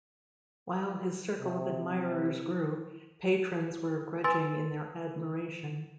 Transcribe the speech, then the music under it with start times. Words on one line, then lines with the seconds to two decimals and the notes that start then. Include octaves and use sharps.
While his circle of admirers grew, patrons were grudging in their admiration.
1.40 C3
4.24 B4 G#5 C6 E6 A6